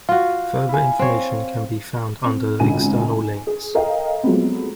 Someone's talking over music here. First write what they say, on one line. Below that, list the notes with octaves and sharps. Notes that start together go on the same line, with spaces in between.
Further information can be found under external links.
F4 F#4 F5
E4 G#5
C4 C#5
C4
G#1 C#2 G#2 D3 G#5 D#7
G#5
G#4
A4 A#4 D#5 F5 G5
F3 F#3 G#3 A3 B3 C4